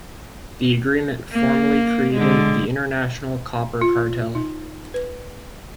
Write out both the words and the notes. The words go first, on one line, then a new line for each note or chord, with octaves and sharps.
The agreement formally created the International Copper Cartel.
A#3
D3 G#3
F4
D#4
B4